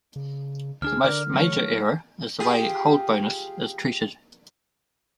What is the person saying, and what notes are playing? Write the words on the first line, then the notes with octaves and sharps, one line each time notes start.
The most major error is the way Hold Bonus is treated.
C#3
D2 D4 G#4 F6
D3 D4 A#4 D5
F#3 A3 C#5
F4 G4 G#4